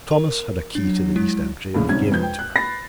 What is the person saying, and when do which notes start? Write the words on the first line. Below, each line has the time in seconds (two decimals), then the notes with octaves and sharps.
Thomas had a key to the east entry, and gave it to her.
0.11 A#4
0.75 F#3 D4
1.16 G#3 E4
1.74 A#1 A2 C#3
1.88 E1 C2 C3 D#3 C#4 G#6
2.11 E1 F2 B4 G6
2.23 G5
2.39 F#6
2.56 B5 A6 A#6 C7